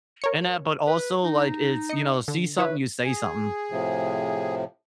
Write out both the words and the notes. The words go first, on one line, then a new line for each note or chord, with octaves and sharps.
in that, but also, like, it's, you know see something, you say something.
A#4 C#5 C#7
B4
D#4
D#5 C#7
D3
E4 B4 C#5 E5
G#4
A2 C3 F3